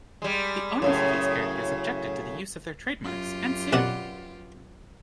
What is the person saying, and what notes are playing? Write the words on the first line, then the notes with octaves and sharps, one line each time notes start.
The owners of these characters objected to the use of their trademarks and sued.
G3 G#3
F#2 A2 C#3
F#2 F4 G4
C2 G2 B2 B4 D5 F#5